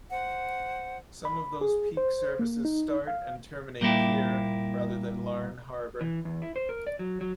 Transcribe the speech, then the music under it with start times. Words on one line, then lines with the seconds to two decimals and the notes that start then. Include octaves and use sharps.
Some of those peak services start and terminate here rather than Larne Harbour.
0.10 C5 F#5
1.25 B5
1.61 G#4
1.97 C5
2.39 A#3
2.65 D#4
3.07 F5
3.81 A#2 G3 A#3 E4 G4
6.01 E3
6.25 E2
6.42 E4
6.56 C5
6.69 A#4
6.87 D5
6.99 F#3
7.21 F#3